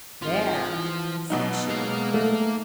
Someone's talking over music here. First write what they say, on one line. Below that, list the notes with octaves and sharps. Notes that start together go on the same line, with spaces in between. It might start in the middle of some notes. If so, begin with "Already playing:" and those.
"There!" said she.
G#1 F3
E3
B2 F#3 D#4
G#3 A#3 F5
A3